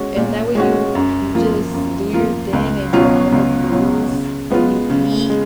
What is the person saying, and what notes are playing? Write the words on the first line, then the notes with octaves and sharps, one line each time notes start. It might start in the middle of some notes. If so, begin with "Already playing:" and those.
And, that way you you just do your thing, and you're on the cruise, and you eat.
Already playing: G#3 C#4 F#4
A#2
G#3 C#4 F#4
F#2
F3 A#3 F4
F#2
F3 A#3 F4
C#2
B2 F#3 C#4 F4
C#2
B2 F#3 C#4 F4
C#3
G#3 B3 F4
C#3
G#3